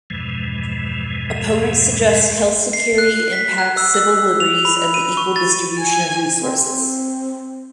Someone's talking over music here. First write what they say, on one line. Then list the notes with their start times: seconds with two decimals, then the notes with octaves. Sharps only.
Opponents suggest health security impacts civil liberties and the equal distribution of resources.
0.10 E2 G2 B2 E3 F3 G#3
2.73 C7
2.98 F#6
3.33 B6
3.58 F#6
3.77 E6
3.94 E6
4.40 F7
4.65 B5
4.94 D#7
5.17 C#6
5.36 A6
5.80 G#5
6.42 C4